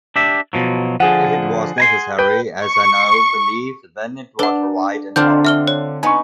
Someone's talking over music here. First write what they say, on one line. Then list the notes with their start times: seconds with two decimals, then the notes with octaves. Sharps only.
If it was necessary, as I now believe, then it was right and moral.
0.16 D4 G4 E5
0.53 B2 F3 F#3
1.00 D3 F3 G#4 F#5
1.78 G#5 A#5 C6
2.19 B4 G5
2.66 C#6
4.39 D4 B4 F#5
5.16 D3 C4 D4 F4 G6
5.45 E5 F6 G7
5.68 C#5
6.03 B3 D#4 G#5 C#6